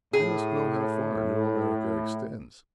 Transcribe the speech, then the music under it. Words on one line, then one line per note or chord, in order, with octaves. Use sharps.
"We must know how far New America extends."
A2 G#4